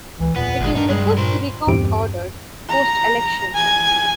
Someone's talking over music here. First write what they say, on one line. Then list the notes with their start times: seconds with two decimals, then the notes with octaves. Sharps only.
It is the fifth recount ordered, post-election.
0.20 C#2 E3
0.36 E2 A#2 B3
0.61 G#1 D2 G#3
0.75 G2 D4 D#4 A#4
0.89 C2 G3 G#3
1.17 A#2 A#4 C5
1.67 E2 G2 A#2 C4 G4 D7
2.69 A#5
3.55 G#5